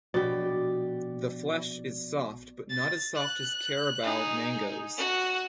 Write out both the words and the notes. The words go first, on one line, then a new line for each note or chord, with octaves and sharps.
The flesh is soft but not as soft as Carabao mangoes.
A#1 B2 G4 D5 A6
A6
F#6
D#4 G#4
F#4 F#5